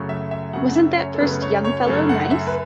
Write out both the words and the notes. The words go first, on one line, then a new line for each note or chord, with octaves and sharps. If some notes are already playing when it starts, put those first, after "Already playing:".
Wasn’t that first young fellow nice?
Already playing: F#2 C#3 F#3 A3 C#4
E5
E5
F#2 C#3 F#3 A3 C#4 F#5
E5
C#5
A4
F#2 C#3 F#3 A3 C#4 B4
C#5
C#5
F#2 C#3 F#3 A3 C#4 A4
F#5
E5
B4